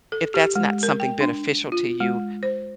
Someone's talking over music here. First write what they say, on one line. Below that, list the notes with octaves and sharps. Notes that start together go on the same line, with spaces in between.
if that's not something beneficial to you,
A4
G4
G#3
A#4
G5
D4
F4
G#3
C5